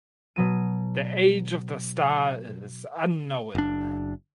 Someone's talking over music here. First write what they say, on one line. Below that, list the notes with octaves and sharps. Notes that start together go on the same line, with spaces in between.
The age of the star is unknown.
B2 F#3 D#7
F#1 D4